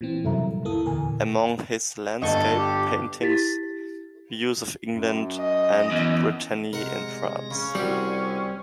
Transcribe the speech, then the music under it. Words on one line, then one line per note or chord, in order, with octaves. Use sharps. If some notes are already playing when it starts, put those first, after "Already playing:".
Among his landscape paintings - views of England and Brittany in France.
A#2 E3 C4
F#2 C3 G3 A4 E5 A#5
D2 A#3 E4 A4 D#6
E2 A#2 D3 A#4 G#5
G1 A4 D#5 C#6
G4
E4 G4 A6 B6
F#2
D#5
E2
C3 G#3 A#4 F#5 A#6
C#3 C#4
C2 G3 C4 F#4 G#4